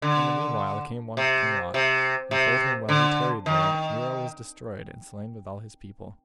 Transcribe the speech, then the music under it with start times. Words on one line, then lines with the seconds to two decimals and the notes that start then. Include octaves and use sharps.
In the meanwhile came one to King Lot, and told him while he tarried there Nero was destroyed and slain with all his people.
0.02 D3
1.17 C3
1.74 C3
2.31 C3
2.89 D3
3.46 D#3